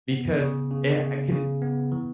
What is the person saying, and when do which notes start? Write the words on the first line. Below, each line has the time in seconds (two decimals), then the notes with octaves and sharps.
because, eh I could it
0.11 B3
0.41 C#3
0.71 C#3
1.01 C#3
1.32 C#3
1.62 B3
1.92 E3